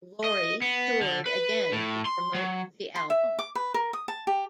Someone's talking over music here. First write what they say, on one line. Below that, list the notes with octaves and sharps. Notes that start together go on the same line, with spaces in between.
Lorie toured again to promote the album.
D#5
B3
D3
B4
A2
C6
F#3
C6
E5
D6
B4
A#4
D#6
A5
G4